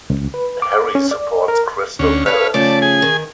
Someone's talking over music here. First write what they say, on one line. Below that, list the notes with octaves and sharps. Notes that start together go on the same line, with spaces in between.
Harry supports Crystal Palace.
C#2
B4
D6
C#4
D5
A#4
D2 C#4
E4 A4 B4 C#5 F5
C#3 F3 A3 D5 A5
G#4 G#5
D#3